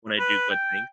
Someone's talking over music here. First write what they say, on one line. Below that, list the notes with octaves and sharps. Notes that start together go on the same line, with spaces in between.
when I do good things
B4
G5